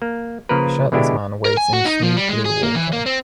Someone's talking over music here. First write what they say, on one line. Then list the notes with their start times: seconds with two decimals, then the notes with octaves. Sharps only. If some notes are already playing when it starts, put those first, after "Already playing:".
A shirtless man wades in smooth blue water.
0.02 A#3
0.49 C#3 F3 A#3 A#4 B4
0.92 B2 D3 G#3 D4 E4 G4
1.45 A#4
1.57 G#5
1.73 F#4
1.86 D#4
2.03 F3
2.17 G3
2.29 G#3
2.45 G#4
2.63 A#3
2.75 E3
2.93 A#3
3.06 C4